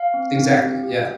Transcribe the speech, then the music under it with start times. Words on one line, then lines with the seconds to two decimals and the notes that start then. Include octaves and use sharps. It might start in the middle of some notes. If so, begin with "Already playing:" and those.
Exactly, yeah.
Already playing: F5
0.14 C4
0.37 C4
0.60 G4
0.83 G4